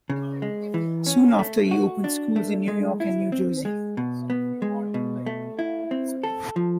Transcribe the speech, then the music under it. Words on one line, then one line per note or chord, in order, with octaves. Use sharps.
Soon after, he opened schools in New York and New Jersey.
C#3
G#3
E3
C#4
A3
F#4
D4
A3
G#3
E4
C4
G#3
B2
B3
G#3
B2
A3
E4
C4
A4
F3